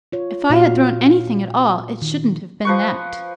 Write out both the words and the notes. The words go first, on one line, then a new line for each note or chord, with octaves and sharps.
"If I had thrown anything at all, it shouldn't have been THAT!"
F4 C#5
A#2 F4 F#4 F5
D#3
F3 B4 C#6